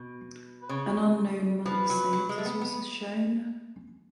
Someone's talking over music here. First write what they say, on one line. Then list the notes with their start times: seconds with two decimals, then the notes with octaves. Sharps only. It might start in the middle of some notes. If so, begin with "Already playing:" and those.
An unknown monk saint is also shown.
Already playing: B2
0.62 B4
0.69 C#3 C#5
1.66 F3 B4
1.90 F#3
2.13 F#3
2.29 G#3
2.38 A3
2.45 B3
2.61 B3